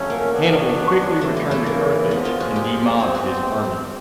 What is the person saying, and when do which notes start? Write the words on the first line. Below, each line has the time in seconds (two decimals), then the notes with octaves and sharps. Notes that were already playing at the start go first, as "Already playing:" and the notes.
Hannibal quickly returned to Carthage and demobbed his army.
Already playing: F2 C#3 F#3 A3 C#4
0.10 A#3
0.33 F2 C#3 F#3 B3 D4
1.21 D#2 C#3 E3 A3
1.37 G#3
1.51 A3
1.66 A#3
2.11 F#2 D3 F3 G#3 B3
2.25 F4
2.40 F#4
2.56 G4
3.00 B2 G#3 C4 G#4
3.15 F#4